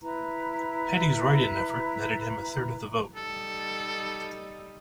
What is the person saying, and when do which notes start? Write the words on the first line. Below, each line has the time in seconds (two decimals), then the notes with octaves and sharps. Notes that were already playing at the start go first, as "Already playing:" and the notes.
Peddy's write-in effort netted him a third of the vote.
0.02 E4 B4 A#5
3.16 G3 D#4 A4